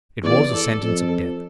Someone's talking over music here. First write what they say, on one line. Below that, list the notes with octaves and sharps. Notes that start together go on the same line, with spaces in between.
It was a sentence of death.
E2 D5
A4
F2 A4